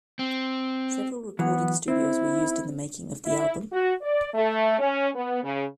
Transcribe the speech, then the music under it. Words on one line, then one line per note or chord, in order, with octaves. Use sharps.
Several recording studios were used in the making of the album.
C4
E3 F#3 B3
C4 E4
E4
F#4
D5
A3
C#4
B3
C#3